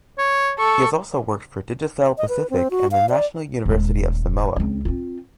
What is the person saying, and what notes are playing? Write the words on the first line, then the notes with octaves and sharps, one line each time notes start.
He has also worked for Digicel Pacific and the National University of Samoa.
C#5
A4 C#6
D#5
B4
C4
F#4
F5
D5
D#1 G#3
C#2 C4
C4 F4